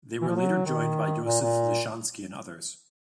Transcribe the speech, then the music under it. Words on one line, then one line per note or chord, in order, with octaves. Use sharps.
They were later joined by Yosef Lishansky and others.
E3
F3
F#3
D#3
A#2
A#2